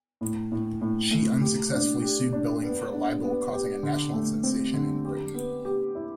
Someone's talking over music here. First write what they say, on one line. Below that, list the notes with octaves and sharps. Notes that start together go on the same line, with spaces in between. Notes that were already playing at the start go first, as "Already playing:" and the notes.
She unsuccessfully sued Billing for libel, causing a national sensation in Britain.
A2
A2
A2
A3
G4
D4
G4
D4
B3
D4
B3
G4
D3
A3
C4
D3
G4
B3
G4
E4